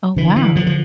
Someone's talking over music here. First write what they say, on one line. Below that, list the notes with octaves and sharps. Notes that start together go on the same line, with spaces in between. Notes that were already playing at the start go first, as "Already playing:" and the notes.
Oh, wow.
D3 E3
E3
D3 F3
F3